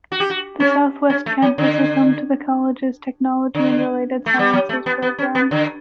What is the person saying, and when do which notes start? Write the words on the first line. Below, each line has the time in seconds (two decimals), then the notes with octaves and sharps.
The Southwest Campus is home to the college's Technology and Related Sciences program.
0.12 F#4
0.20 G4
0.30 F#4
0.60 C#4
1.10 C#4
1.26 A3
1.42 F#3
1.58 D3
3.55 D3
4.26 A3
4.39 G3
4.53 F#3
4.69 A3
4.86 B3
5.02 B3
5.19 C#4
5.35 B3
5.51 D3